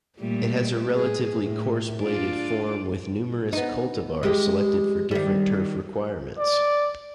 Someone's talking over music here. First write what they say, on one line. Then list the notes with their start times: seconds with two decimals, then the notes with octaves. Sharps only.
It has a relatively coarse-bladed form with numerous cultivars selected for different turf requirements.
0.19 A#2 G3 A3
0.95 A2 G#4
1.39 A2
2.04 D4 F4 D5
3.53 B3 D#4
4.23 G#3 G4
5.11 D#3 G3
6.39 D5